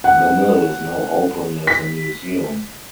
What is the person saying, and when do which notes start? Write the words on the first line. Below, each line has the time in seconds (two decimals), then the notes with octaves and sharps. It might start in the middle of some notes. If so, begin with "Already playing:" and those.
The mill is now open as a museum.
0.04 F#5
1.67 B6